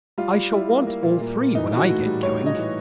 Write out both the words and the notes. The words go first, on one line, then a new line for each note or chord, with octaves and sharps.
I shall want all three when I get going.
G3 F4
G3
G3 E4
A#3
A#3
A#2
A#3
A#2
E3 D#4
E3
F#4
A2
G3
A2 C#5
A2
D#5
E3